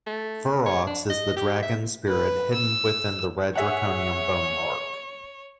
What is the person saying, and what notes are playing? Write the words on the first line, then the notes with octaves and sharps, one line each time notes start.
Furox is the dragon spirit hidden within the red draconium bonemark.
A3
C#5
D4
D#5
G4
E5
B4
E6
G#4 C#5 E5 F#5